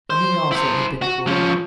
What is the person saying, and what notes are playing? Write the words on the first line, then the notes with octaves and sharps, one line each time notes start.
And he also had been cruel.
C5
E4 C5
F#4
F3 C#4